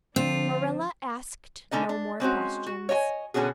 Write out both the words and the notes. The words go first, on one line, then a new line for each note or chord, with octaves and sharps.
Marilla asked no more questions.
D3 F3 C4 D4 F4
D3 C#4 D#4 D#5
D4
G#3 C4 C#4 F#4
F#4
C#5 D#5 G5 G#5
B2 D3 C#4 F#4 G#4